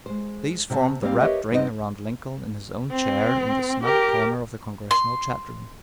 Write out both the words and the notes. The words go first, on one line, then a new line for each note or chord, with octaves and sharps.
These formed the rapt ring around Lincoln in his own chair in the snug corner of the congressional chat-room.
G#3 C5
C3 F5 A5
G3 A#3 C4 F5
G4 A#4 B4 C#5 D#5 E5
G2 B3 C4 D#4 B4 D#5
C4
G4 A#4
C6